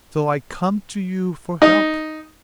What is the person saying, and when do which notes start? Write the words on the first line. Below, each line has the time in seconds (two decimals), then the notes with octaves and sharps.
So I come to you for help.
1.62 D#4